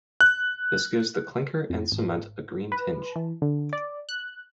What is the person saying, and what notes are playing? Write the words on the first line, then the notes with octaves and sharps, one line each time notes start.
This gives the clinker and cement a green tinge.
F#6
F2
G#1
B4
E3
D3
D5
F#6